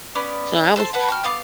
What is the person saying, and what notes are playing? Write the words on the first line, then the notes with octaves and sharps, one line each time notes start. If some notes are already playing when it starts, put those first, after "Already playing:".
So I was
B3 C#4 D5
A4 C5 F#5 C6
B4 F#5 A5
F#4 G5 F6
A3 B3 F5 D6